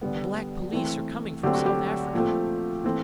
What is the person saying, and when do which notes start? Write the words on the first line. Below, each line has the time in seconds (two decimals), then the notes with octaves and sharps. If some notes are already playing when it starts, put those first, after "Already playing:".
The Black Police are coming from South Africa....
0.01 D3 G3 B3
0.72 E3 A3 C4
1.43 D3 F#3 A3 C4 G4
1.54 F#4
1.66 G4
2.13 A#2 F3 A3 C4
2.84 E3 A3 C4